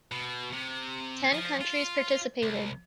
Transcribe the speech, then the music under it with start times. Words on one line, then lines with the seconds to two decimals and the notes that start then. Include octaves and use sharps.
Ten countries participated.
0.11 B2
0.53 C3
1.33 F3
1.61 F4
2.43 C2